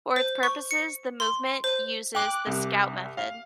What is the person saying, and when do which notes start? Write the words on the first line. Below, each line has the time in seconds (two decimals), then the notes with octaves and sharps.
For its purposes the movement uses the scout method.
0.16 C5
0.43 C#6
0.71 C#7
1.20 C6
1.64 C5
2.15 G5 D6 F#6
2.47 C2
3.17 F5